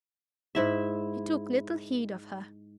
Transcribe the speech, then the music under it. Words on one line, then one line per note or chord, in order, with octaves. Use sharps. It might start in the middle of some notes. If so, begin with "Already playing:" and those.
He took little heed of her.
G#2 E4 E5